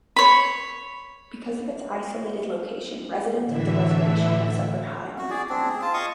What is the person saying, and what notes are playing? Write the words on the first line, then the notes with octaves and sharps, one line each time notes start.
Because of its isolated location, residents of the reservation have suffered high unemployment.
C#5 B5
A2 D3 E3 E5
F#4
G#4 D5
C4 D4
G#4
F4 A5
D#5 F5 C#6 D#6